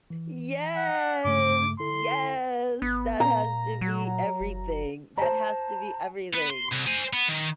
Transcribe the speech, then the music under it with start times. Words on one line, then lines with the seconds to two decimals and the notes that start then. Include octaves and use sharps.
Yes, yes. That has to be everything. That has to be everything.
0.10 E3
0.76 F#5
1.25 G2 C#3 A3 D6
1.79 D3 E4 A4 C6
2.82 G#1 B3
3.20 A#2 A#5
3.81 F#3
4.41 F#1
5.18 C5 A5 A#5
6.34 B3 B4
6.50 C6
6.72 C2
6.87 C5 G#5
7.13 B3
7.29 D#3